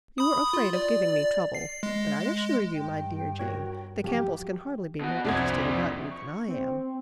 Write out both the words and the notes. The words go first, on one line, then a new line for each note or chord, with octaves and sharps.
You are afraid of giving me trouble; but I assure you, my dear Jane, the Campbells can hardly be more interested about you than I am.
B5 D#6
F4
D5
C7
G#3
G2 G5
F#4 A#4 C#5
F3 F#3 G4
B2 F#4
C2 F2 D4 C5 G#6
C#6
C4